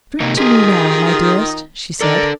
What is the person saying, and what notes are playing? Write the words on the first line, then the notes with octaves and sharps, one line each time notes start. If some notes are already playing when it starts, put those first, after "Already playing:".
'Drink to me now, my dearest,' she said.
C3 A#3 D#4
D#3 D#4 F4 G4 G#4
D4 A4 A#4 D5